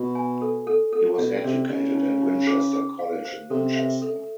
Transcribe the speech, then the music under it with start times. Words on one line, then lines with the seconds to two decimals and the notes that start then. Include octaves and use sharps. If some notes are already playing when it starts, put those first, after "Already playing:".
He was educated at Winchester College in Winchester.
Already playing: B2
0.15 G#5
0.41 A4
0.67 A4
0.93 A4
1.18 B2 D5
1.44 C3 D5
1.70 C#3 D5
1.95 D#4
2.22 D#4
2.47 G#4
2.73 G#4
2.99 F5
3.25 C5
3.50 C3 A4
3.76 E5
4.02 A4